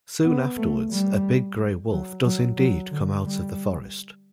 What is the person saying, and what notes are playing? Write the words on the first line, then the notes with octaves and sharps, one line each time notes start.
Soon afterwards "a big, grey wolf" does indeed come out of the forest.
B3
A3
G3
F#3
F#3
F#3
D3
G3